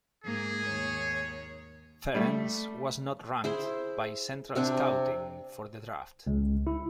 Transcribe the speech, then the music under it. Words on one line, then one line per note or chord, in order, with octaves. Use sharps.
Ference was not ranked by Central Scouting for the draft.
G#2 A#3 G#4
D#2 C#5
G3 A3
E4 G#4 C5
C3 C4 D4 G#5
C#2
E4